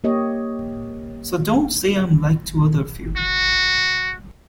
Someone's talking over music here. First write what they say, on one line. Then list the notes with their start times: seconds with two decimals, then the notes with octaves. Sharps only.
So don't say I'm like to other few.
0.04 A#3 G4 C#5 D#5
3.16 F#4